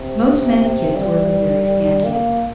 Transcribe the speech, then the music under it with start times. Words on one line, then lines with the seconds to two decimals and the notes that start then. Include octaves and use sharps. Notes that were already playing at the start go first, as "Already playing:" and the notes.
Most men's kits were of the very scantiest.
Already playing: C3
0.96 G3
2.05 A#3